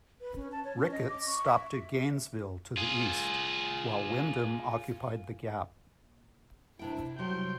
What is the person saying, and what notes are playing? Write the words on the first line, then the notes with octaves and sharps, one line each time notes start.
Ricketts stopped at Gainesville, to the east, while Wyndham occupied the gap.
B4
C#4
A5
C#5
C#4
D#5
D6
C#6
E5
F4 G#4
C3 D4 E4 G5
C3 F#3 G3 G5 C6